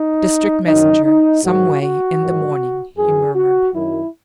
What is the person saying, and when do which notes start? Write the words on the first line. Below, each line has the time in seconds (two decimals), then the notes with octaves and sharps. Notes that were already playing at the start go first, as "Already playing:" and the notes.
"District messenger--some way--in the morning," he murmured.
Already playing: D#4
0.66 F#2 D#3 F#3 D#4
1.05 D#4
1.43 G#2 D#3 F#3 F#4
1.82 F#4
2.19 G#2 D#3 F#3
2.97 F#2 E3 G#4
3.35 F#4
3.73 F#2 D#3 F#3 E4